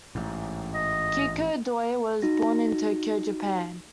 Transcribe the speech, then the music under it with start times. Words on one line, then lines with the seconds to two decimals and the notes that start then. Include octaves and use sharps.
Keiko Doi was born in Tokyo, Japan.
0.15 A1 G#2
0.74 D#5
2.22 D#4 F#4 A#6